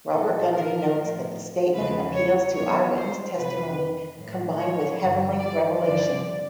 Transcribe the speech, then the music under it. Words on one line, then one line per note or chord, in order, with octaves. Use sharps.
Robert Gundry notes that the statement appeals to eyewitness testimony combined with heavenly revelation.
A#2 F3 A4
A#4
A2 F3
E2 C#3 F3 B4
C#5
E2 B2 F#3 C#5
C5
F2 C3 F3 B4
A2 F3
C#5
G2 D3 F3
D5
G2 D3 F3 D5